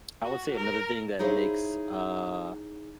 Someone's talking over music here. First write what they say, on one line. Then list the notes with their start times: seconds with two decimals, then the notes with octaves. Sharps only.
I would say another thing that makes, uh,
0.23 F#4
0.55 A#4
1.19 D#4 E4 G#4 C5 C#5 F5